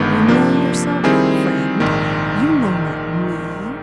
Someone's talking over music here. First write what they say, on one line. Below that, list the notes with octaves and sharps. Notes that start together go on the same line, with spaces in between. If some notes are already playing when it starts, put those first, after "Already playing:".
You know yourself, friend; you know not me.
Already playing: G1 G2 D#3 G#3 B3
C3 F3 A#3 D4
D#3 G3 C4 E4 G#4
A#1 G#2 D#3